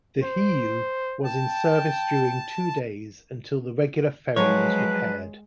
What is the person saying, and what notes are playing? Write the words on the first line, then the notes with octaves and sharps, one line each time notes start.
The "Hiyu" was in service during two days until the regular ferry was repaired.
C5
G5 A5
F3 F#3 G#3 B4 C#5